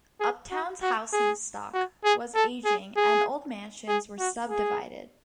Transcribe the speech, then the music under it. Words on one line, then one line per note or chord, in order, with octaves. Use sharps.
Uptown's housing stock was aging, and old mansions were subdivided.
G#4
F#4
F#4
G#4
F#4
G#4
A4
G#4
G#4
G#4
F#4
G#4